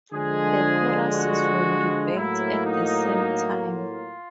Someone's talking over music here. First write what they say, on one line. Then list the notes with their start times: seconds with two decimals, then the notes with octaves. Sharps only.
The Choirs were rebuilt at the same time.
0.13 D3 F3 G#3 G#4
1.14 F#4
2.15 A2 F#3 A#3 E4
2.65 D#4
3.66 F4